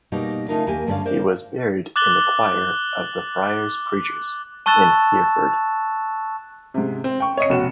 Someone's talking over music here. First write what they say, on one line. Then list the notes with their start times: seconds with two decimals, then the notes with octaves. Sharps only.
He was buried in the choir of the Friars Preachers, in Hereford.
0.12 B2 G3 A#3 D#4 D5
0.48 C#3 A3 D#4 F4 A#4 F5
0.67 D#2 A#3 G4 G#5
0.87 G2 D3 C#4 B4 D5 F5
1.05 A#4 C5 D5 F5
1.96 D6 F#6 A6 F#7 G7
4.66 A5 C#6 E6 F#6 A6 E7
6.74 G#2 C3
7.04 C4
7.20 G5 C#6
7.37 C#5 D#5 C#7
7.49 F1 B2 F#4 E7